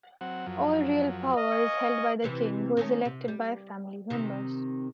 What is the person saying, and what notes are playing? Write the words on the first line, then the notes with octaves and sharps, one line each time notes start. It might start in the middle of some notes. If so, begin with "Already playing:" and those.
All real power is held by the King, who is elected by family members.
F#3 C4 F#5
F#2 F3 F#3
D#5 F5
F5 G#5 C#6
C3 E3 B3
D#3 A3 C#4
C3
G3
C3 D#3